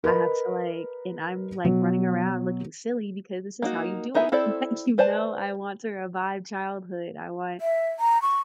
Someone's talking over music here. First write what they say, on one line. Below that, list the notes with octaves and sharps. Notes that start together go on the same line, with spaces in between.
I have to, like and I'm, like, running around looking silly, because this is how you do it, like, you know? I want to revive childhood, I want
A#4 B4 D#5 B5
B2 F#3
A#3 D#4 F#4
B3 D#4 E4 E5 G#5
C4 E4 A4 C5 D5
B4 C5 D5 G#5 A5
E5
A#5
C#6